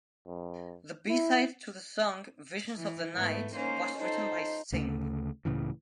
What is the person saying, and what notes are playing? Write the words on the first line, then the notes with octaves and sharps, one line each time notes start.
The B-side to the song, "Visions of the Night," was written by Sting.
F2
E4
E3
G#2 A3 B3
A#3 C#4 D#4 C5
F3 D#4 A4 C5
D2 C#3 A3
C#2 A2 C#3 E3